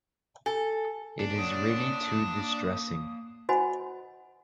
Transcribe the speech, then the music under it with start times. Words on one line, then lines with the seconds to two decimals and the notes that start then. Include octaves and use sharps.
It is really too distressing.
0.46 A4 G#5
1.20 D4
1.38 A#3 C#5 F#5 D#6
3.49 F#4 C5 D#5 F#5 G#5 B5